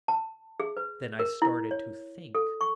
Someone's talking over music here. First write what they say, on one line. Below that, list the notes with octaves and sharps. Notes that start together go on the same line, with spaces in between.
Then I started to think.
A5
G#4
B4
A#4
E4
C#5
A4
C#6